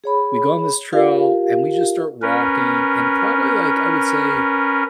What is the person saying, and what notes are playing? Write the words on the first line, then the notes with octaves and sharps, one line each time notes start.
we go on this trail and we just start walking and probably like I would say
G#4 C#5 B5
F4 G4 A#4 F5
C#4 A#4 B4